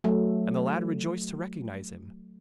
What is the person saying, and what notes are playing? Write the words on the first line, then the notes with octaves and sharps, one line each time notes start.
And the lad rejoiced to recognise him.
F#3 A3